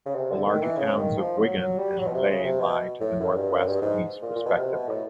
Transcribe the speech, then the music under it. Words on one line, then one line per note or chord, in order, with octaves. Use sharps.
The larger towns of Wigan and Leigh lie to the northwest and east respectively.
C#3
C3
D3
D#3
E3
C#3
D#3
F3
F#3
F#3
G3
F#3
B2
C3
C#3
C3
B2
A2
F#2
G2
F#2
G2
G#2
A#2
A#2
B2
C3
B2
A2